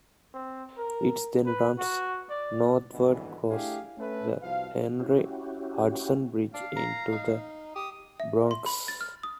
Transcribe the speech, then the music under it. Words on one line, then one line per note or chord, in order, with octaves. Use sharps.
It then runs northward across the Henry Hudson Bridge into the Bronx.
C4
A#4
B4
F#4
D5
G#1 D2 G2 B2 E3
A3 D4 E4 G4 G#4 F5
A3 C#4 B4
C2 F3 F#4 F5
C#4 E4 F#4 G4
D4 F5
A#5
D#4
G4 D#6
E5
C6
B5
A6
F6
D#6